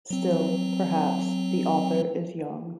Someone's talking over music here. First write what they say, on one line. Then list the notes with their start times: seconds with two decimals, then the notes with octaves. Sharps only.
Still, perhaps, the author is young.
0.10 F#3 C4